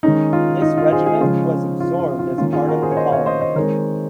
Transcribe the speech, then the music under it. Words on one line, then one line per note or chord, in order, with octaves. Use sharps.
This regiment was absorbed as part of the column.
D#3 G#3 C#4 D#4
F4
D#4
F4
G#4 C5
F4 G#4
C#3 F3 G#3 C#4 F4
F4
F4
F4
D#3 A#3 C#4 F4
F4 G#4
F#4 A#4
G#4 C5
C#5
C5 D#5
C#5 F5
C5 D#5
C5 D#5
D#3 G#3 C4 A#4 C#5